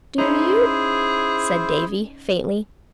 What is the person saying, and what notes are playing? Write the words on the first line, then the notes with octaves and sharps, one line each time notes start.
"Do you?" said Davy, faintly.
C#4 D#4 E4 G#4 C5